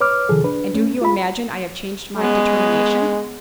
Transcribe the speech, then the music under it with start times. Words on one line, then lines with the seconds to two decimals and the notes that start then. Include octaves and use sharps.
And do you imagine I have changed my determination?
0.01 B4 C#5 D6 F6
0.29 C3 D#3 F3 G#4 A4
0.44 D4 B4
0.74 A3 C#4
1.01 F4 B5
2.17 G#3 B3 C#4